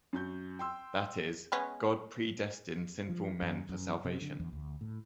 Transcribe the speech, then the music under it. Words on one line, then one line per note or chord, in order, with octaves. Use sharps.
That is, God predestined sinful men for salvation.
F#2 F#4 G6
G5 C6 E6
G#3 B3 C#4
F3
F#2
F#2
C3
D3
E2
D2
A2